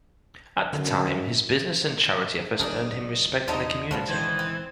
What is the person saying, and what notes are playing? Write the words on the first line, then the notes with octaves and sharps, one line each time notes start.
At the time, his business and charity efforts earned him respect in the community.
F#2 D3
F#1 D4 D#4 G#4 A#4 D5
E2 D3 F3 D4 D#4 D#5
C#2 A#2 D3 F3 G3
D#3 E3 C5
C4